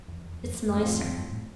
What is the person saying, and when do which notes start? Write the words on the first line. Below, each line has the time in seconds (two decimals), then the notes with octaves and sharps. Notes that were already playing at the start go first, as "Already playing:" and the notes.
"It's nicer."
0.08 E2
0.25 E2
0.43 F2
0.69 F2
0.77 E2 A2 F3 C4
0.91 E2
0.98 G2
1.04 F2
1.16 G2
1.30 A2